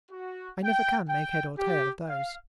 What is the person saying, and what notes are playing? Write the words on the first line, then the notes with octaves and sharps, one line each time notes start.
I never can make head or tail of those.
F#4
G5
G5
G4
F5